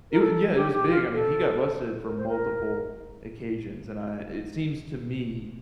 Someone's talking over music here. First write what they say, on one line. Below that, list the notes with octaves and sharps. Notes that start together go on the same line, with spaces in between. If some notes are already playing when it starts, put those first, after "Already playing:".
it wa And yeah, it was big, I mean, he got busted for multiple occasions and I it seems to me
A#4
A4
G4
G4
F4
A4
A#4
C5
A#4